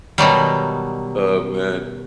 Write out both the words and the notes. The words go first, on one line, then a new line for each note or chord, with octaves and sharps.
Oh, man.
B2 D#3 F#3 G3